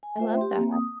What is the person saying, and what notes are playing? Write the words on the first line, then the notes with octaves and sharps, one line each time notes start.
I love that.
G#5
A3 F4 C5 E5 G5
G4 C6
A#3 C4
D#6